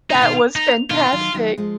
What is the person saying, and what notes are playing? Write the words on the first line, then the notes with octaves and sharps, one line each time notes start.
That was fantastic!
C#3 D#4
B2 D#3 F4
D#4
B2 D#3 F4
D#3 F#3
D#3 F#3
F3 G#3